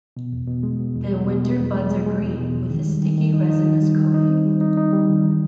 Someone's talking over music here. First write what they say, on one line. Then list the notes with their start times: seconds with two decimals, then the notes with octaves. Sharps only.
The winter buds are green, with a sticky resinous coating.
0.17 B2
0.32 E2
0.47 B2
0.63 G#3
0.80 B2
0.96 E2
1.11 G#3
1.27 B2
1.43 G#3
1.59 E2
1.75 G#3
1.91 G#3
2.06 G#3
2.22 E2
2.39 B2
2.55 E2
2.70 D#3
2.87 G3
3.03 D#3
3.18 D#3
3.34 D#4
3.50 D#4
3.66 D#3
3.82 G3
3.98 D#3
4.14 D#4
4.30 C4
4.45 G3
4.61 D#4
4.77 D#4
4.93 G3
5.10 D#3
5.24 E3